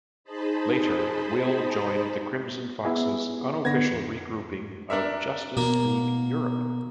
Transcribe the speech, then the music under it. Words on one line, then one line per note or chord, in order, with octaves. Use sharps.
Later, Will joined the Crimson Fox's unofficial re-grouping of Justice League Europe.
D#4 G#4 C5 D#5 A5 B5
B3 E4 G#4
D3 B3 G#6 A#6
F2
D4 A#4 E5
B2 A#3